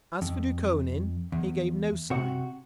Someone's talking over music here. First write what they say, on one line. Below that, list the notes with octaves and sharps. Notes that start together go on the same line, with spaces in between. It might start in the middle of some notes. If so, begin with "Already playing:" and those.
As for Dukhonin, he gave no sign.
F2
E2
C3 F#4